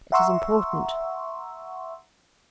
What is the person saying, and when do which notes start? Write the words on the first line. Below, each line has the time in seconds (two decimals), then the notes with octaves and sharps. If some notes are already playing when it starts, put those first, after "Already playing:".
It is important.
0.12 E5 F#5 A#5 C6 C#6 E6